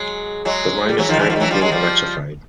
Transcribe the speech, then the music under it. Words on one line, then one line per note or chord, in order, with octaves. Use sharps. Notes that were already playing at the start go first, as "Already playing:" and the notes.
The line is currently being electrified.
Already playing: F#3 G#3
F#3 G#3
G3
E3 F#3
D#3 F3
D3 E3
D#3 F3
G3
E3 F#3
F3 G3
F#3 G#3
F3 G3